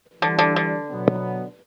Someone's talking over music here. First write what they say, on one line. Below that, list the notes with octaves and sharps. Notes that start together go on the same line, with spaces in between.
Sometimes several towns united to hold one in common.
D3 E3 G3 D4
D3
D3
B2 F#3 B3